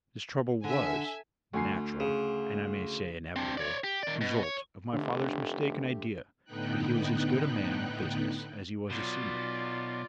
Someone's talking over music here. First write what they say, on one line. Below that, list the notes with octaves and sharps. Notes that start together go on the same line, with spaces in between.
This trouble was the natural--and I may say inevitable--result of my father's mistaken idea that he was as good a man of business as he was a seaman.
D3 E5 G#5
D2 G#5 C7
C#3
C4 D4
C#5 D5
G4
D#3 D5
B2
C#5
F1 D3 A3 G4
A2 D3 B3 D#4 G5 F#6
B2 F#3 F4 D5